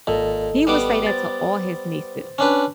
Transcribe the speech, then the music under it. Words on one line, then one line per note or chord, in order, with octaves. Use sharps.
He would say that to all his nieces.
G#1 A#2 A4 D#5
G3 B3 D6
C5 A6
C#4 D4 B4